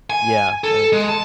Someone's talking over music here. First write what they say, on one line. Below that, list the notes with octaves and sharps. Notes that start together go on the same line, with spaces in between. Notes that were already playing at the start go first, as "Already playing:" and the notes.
Yeah, that makes
G#5
A4
G#3
A5